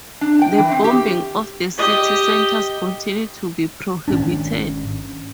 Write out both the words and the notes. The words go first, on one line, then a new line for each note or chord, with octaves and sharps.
The bombing of the city centers continued to be prohibited.
D4
G5
E3
C4
G4
G4 D#5
G#1 C#4 D4